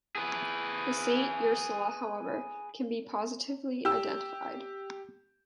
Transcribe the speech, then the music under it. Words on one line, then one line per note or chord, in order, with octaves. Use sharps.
The "Saint Ursula", however, can be positively identified.
G#4 B4
G4 E6